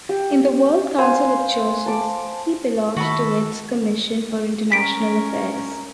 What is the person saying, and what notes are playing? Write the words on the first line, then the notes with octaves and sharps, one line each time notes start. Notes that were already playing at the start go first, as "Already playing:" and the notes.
In the World Council of Churches he belonged to its "Commission for International Affairs".
G4
B4 C5 F5 G#5
A5 D6
D#3 F#4 A4 B5
C#4 A#4 B6 D7